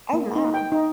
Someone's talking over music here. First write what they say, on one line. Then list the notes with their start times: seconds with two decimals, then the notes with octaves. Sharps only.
Oh, my.
0.13 A#3
0.36 D#4
0.54 G5
0.72 D#4